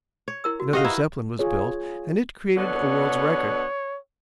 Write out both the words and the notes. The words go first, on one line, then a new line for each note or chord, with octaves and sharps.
Another Zeppelin was built and it created a world's record.
C#5
E4 A#4 E6
F#4
F#4 G4 D#5 F5 G5
E4 B4 A#5
F4 G#4 C#5
B2 D3 B3 C#5